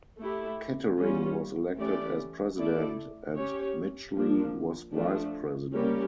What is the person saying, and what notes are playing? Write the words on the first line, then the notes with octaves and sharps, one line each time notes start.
Kettering was elected as president, and Midgley was vice president.
A3 E4 G4
G3 C#4 F4
E3 A3 C#4 G4 D5
A3 E4 A4 D5
C#4 G4 C#5
F3 A#3 D4
F3 A3 D4
G3 A#3 C#4 G4 A#4